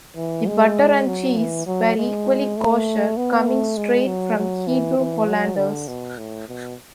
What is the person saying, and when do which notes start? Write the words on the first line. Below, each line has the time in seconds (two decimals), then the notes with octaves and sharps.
The butter and cheese were equally kosher, coming straight from Hebrew Hollanders.
0.16 E3
0.47 G#3
1.06 F#3
1.37 E3
1.67 F#3
1.97 G#3
2.57 A3
3.17 B3
3.47 A3
3.77 G#3
4.07 F#3
4.37 F#3
4.67 E3
4.98 E3
5.27 F#3
5.57 D3
5.88 B2
6.18 A2
6.48 B2